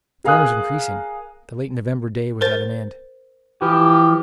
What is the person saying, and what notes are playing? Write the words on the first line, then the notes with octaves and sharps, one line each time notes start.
The storm was increasing; the late November day was at an end.
G#4 A#4 F5 G#5 D#6 F#6
A#4 C5 A6
E3 F3 G4